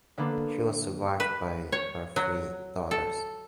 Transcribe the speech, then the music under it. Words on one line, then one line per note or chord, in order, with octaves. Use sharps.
She was survived by her Three daughters.
D3 A#3 B3 D4
B4
C#5
F#3
A4